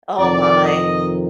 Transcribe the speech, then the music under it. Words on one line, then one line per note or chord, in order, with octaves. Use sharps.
Oh my.
F2 C3 D#3 D5
D#5